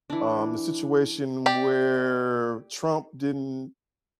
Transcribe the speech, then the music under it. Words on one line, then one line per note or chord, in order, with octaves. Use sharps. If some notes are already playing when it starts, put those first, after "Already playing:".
um, the situation where Trump didn't
E3 D4
G4 D5 G5